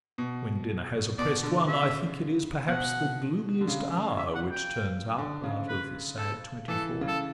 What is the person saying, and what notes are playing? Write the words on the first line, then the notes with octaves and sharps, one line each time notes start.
When dinner has opprest one, I think it is perhaps the gloomiest hour Which turns up out of the sad twenty-four.
B2
B2 D5
D3
C#3 E5
B2 F#5
D3
C#3
E5
F#5
G5
D3
C#3
B4
A4
E3 A4
C#3
A4